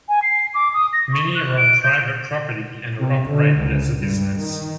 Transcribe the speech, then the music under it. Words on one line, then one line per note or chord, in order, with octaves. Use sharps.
Many are on private property and are operated as a business.
G#5
C7
D6
D#6
A#6
C#6
F#6
D7
G6
C3
D3
C#2
G2
D#3